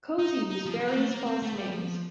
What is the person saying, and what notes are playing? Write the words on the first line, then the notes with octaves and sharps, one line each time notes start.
Cosey used various false names.
D#4
D#4
F3
F3
A#3
A3
A#3
C4
A3
G3
F3